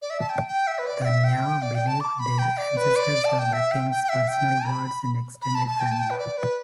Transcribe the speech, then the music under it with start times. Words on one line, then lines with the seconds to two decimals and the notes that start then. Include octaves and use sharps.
The Nyaw believed their ancestors are the king's personal guards and extended family.
0.02 D5
0.10 E5
0.20 A5
0.30 G5
0.48 G5
0.67 E5
0.78 B4
0.87 D5
1.02 G5
1.05 E5
1.24 G5
1.62 D5
1.75 G5
1.87 A5
2.00 D6
2.19 B5
2.38 G5
2.57 D5
2.77 B4
2.96 D5
3.25 A5
3.39 G5
3.53 E5
3.71 G5
3.91 G5
4.04 G5
4.09 E5
4.28 G5
4.66 B5
5.42 B5
5.55 A5
5.67 A5
5.80 G5
5.92 A5
6.00 G5
6.10 B4
6.19 D5
6.37 B4